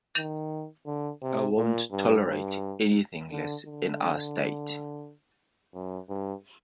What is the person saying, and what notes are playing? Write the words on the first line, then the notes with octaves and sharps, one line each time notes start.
I won't tolerate anything less in our state.
D#3
D3
C3
A#2
G2
G2
D3
D3
F#2
G2